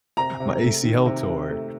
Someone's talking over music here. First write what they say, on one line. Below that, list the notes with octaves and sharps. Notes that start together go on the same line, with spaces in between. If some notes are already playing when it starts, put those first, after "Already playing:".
my ACL tore,"
C3 A#5
C3
A3
D#3
C3
C3
A3